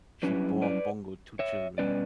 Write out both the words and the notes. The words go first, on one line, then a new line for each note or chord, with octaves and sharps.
She bore Bongo two children.
G2 F#3 C#4 E4 G4 B4
B4 D5
C#5 E5
B2 G3 C#4 B4 D5